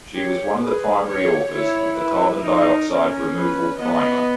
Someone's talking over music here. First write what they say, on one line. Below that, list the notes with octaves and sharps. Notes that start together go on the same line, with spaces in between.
She was one of the primary authors of the Carbon Dioxide Removal Primer.
G4 C#5
G#4 B4
G4 C#5
E4 C#5
E4 B4
D#4 A#4
C#4
B4
B3 D#5